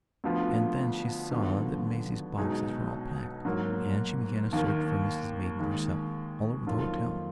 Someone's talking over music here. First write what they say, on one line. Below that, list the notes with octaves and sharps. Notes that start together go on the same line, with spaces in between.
And then she saw that Maisie's boxes were all packed, and she began a search for Mrs Maidan herself--all over the hotel.
D2 D3 F3 B3 F4
D#2 D3 F#3 B3 F4
B1 B2 G#3 D#4 G#4
G#2 F#3 A#3
D#2 D#3 A#3
D#2 D#3 G#3
F2 D#3 F#3 A#3 F4